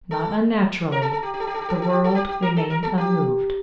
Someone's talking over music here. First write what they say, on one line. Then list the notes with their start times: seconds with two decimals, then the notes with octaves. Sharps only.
Not unnaturally the world remained unmoved.
0.11 A4
0.92 A#4
1.02 A4
1.12 A4
1.23 G4
1.34 G4
1.40 A4
1.47 G4
1.54 A4
1.61 G4
1.69 A4
1.75 G4
1.82 A4
1.89 G4
2.04 A4
2.15 G4
2.29 G4
2.42 A#4
2.56 A4
2.70 A#4
2.83 A4
2.98 G4